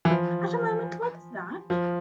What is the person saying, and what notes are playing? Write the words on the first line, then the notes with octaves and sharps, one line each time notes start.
At a moment like that?
E3
F3
F3